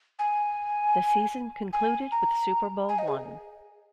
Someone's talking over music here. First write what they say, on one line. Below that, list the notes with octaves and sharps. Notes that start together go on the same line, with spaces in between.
The season concluded with Super Bowl One.
G#5
G#5
A#5
G#5
D#5
G#4